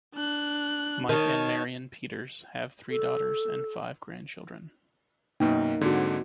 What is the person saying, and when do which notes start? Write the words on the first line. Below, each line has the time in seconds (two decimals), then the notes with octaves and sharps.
Mike and Marian Peters have three daughters and five grandchildren.
0.14 D4 F#6
1.09 D#3 C#5 A5
2.90 A4
5.40 F#2 B2 A#3 D#4 G5
5.81 G#2 D3 C4 F#4